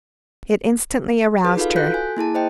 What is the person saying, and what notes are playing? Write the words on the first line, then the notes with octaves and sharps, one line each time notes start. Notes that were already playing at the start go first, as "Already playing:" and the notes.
It instantly aroused her.
F#4 G#4 B4
D#4 F4 A4 B4 F5
F#4 A4 F#6 G6 B6
G#5
A#3 E4 G#4 A5
C5 D#5 G5